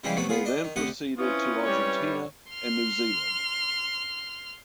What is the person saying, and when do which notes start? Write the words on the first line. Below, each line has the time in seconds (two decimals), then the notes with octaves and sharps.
They then proceeded to Argentina and New Zealand.
0.04 C#3 E3 F3 G3 G#3 G4
0.16 C3 F#3 A3 B3 F#4
0.29 B3 F4 G#4
0.45 D4 D#5
0.64 D#3
0.76 D2 C3 G4 F#5 D#6
1.18 C4 C#4 E4 F4 B4 C#6 D#6
1.64 G3 C#5
2.52 C6 F6